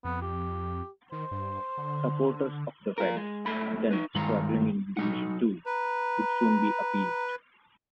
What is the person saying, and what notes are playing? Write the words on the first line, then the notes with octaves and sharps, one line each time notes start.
Supporters of the "Reds", then struggling in Division Two, would soon be appeased.
F2 B3
G4
D#3 C5
G2
D3
F4 A#4
G#3
B1 G#2 A3 B5
D#4 B4
G2 D#3 G#3 F5 A#5
F#3 D#4 F#5
B4 A#5